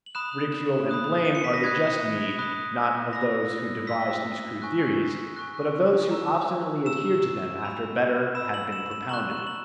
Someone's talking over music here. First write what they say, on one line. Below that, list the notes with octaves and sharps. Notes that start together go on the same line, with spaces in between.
Ridicule and blame are the just meed, not of those who devised these crude theories, but of those who obstinately adhered to them after better had been propounded.
F#7
B5 D#6 F#6 E7
B5 D#6 F#6
D#7
C#7
B6
A#6
B5 D#6 F#6 G#6
B5 D#6 F#6
B5 E6 A#6
B5 E6 B6
G#5 C#6 F#6
G#5 C#6 F#6
A#5 E6
A#5 E6 E7
B5 E6
B5 E6 E7
F#7
E7
E7
A#5 C#6 F#6 F#7
E7
F#7